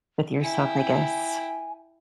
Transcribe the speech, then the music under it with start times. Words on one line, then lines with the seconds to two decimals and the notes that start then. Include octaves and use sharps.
with yourself, I guess.
0.42 E4 G5 G#5